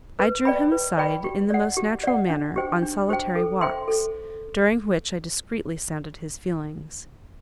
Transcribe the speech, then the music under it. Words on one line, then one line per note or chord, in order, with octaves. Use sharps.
I drew him aside in the most natural manner on solitary walks, during which I discreetly sounded his feelings.
B4
D5 G5 B5
B4
D5 G5 B5
G4
D5 F#5
G4
D5 F#5
D4
G4 C5 G5
D4
G4 C5 G5
A4
C5 E5 G5 C6
A4